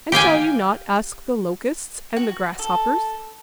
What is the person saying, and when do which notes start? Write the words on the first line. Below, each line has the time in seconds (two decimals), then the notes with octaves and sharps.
"And shall you not ask the Locusts, and the Grasshoppers?"
0.12 G4 F5 G5 G#5
2.16 F#4
2.59 A4